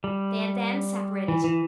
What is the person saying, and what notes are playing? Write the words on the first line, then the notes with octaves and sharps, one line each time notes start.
They had then separated.
G3
E3
E3